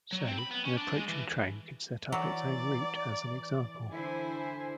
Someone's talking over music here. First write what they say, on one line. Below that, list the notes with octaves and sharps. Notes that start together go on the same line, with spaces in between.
So, an approaching train could set up its own route, as an example.
F#3
C4
B5
B3
C#4
D4
G#3
E3
E3 F#3 D5
D3 E4 C5 G#5